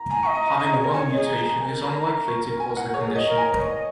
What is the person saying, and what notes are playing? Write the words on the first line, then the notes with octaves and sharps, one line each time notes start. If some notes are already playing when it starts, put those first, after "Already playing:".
Having one mutation is unlikely to cause the condition.
Already playing: A#5
G#5 A#5
D#5 C#6
A#5
C#6
A#5
G#4
A#4
C#5 G#5
D#5
G#4
A#5
G#4
A#5
A#4 G#5
A#5
A#5
A#5
C#6
G#5
F#5
G#4 C#5
A#4
G#4
D#5
A#4
G#5
D#5 C#6